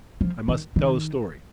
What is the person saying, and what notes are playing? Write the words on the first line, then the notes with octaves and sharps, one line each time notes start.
I must tell a story.
F3
D#3
D#3